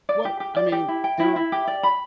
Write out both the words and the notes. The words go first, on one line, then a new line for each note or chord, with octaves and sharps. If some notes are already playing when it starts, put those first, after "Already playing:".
Well, I mean, there
D5
G4
G4
D5
G4
E4
G5
E4
E4
G4
D5
B5